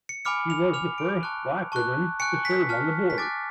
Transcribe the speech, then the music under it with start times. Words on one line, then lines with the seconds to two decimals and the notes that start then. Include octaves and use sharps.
She was the first black woman to serve on the board.
0.09 C#7
0.25 G#5 B5 D6 F6 C#7
0.50 F7
0.73 G#5 D6 F6 F7
0.98 D7
1.23 A5 C#6 F#6
1.72 A5 C#6 F#6
2.20 G#5 C#6 F#6 C#7
2.45 B6
2.69 A5 F6
3.10 B6
3.18 G#5 D6 F#6 A6